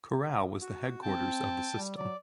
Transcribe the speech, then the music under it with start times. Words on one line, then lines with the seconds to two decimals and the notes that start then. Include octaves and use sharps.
Corral was the headquarters of the system.
0.61 F#4
1.02 C4 G5 A5
1.75 G3
1.97 F#3 D5